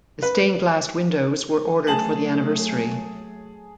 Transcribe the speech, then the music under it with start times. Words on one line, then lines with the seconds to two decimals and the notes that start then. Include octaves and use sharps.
The stained glass windows were ordered for the anniversary.
0.23 B4
1.87 F#3 A3 G#4 A5 F#7